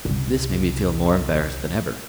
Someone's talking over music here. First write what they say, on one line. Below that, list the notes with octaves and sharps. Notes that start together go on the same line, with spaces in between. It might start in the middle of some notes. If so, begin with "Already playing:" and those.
This made me feel more embarrassed than ever.
C2 C#3